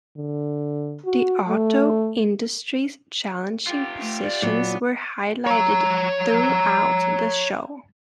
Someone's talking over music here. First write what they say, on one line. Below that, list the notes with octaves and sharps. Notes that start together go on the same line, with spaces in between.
The auto industry's challenging positions were highlighted throughout the show.
D3
F#4
A3
F4 G4
A3
D5
A#2 F#3 B3
C#5 A#5